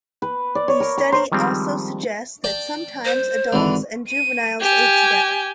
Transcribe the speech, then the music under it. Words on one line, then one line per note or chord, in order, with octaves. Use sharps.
The study also suggests that sometimes adults and juveniles ate together.
B4
D5
C#5
A#4
A#5
C5
D#3 F3 G3 G#3 C4
D5 G5 A5
C5
G#1 D3 E3
D#7
G4 G#5